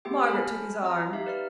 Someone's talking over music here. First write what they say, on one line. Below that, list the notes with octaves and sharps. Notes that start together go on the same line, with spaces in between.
Margaret took his arm.
A3 B3 G4 G#4 G5
C5 G#5 A5 B5 F6
C4 D#5 A#5
D#4 G4 E5 F5
B4 D5 F6